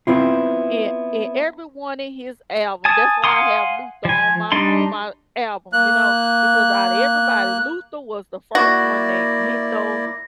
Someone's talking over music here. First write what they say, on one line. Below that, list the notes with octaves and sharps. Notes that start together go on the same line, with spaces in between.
a and everyone in his album that's why I have Luther on my on my album, you know, because out of everybody, Luther was the first one that hit those
B3 C4 E4 F4
G#5 A5 D#6
F5 F#5 G#5 C6 D#6
F3 G#5
G3 D4 D#4 C6
A#3 F#6
A#3 E4 F#4 D5 A#6